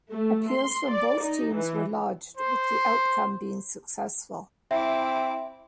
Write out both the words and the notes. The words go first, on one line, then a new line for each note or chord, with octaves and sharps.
Appeals from both teams were lodged, with the outcome being successful.
A3
C6
D5
D#4
E3
C5
C4 E4 E5 D6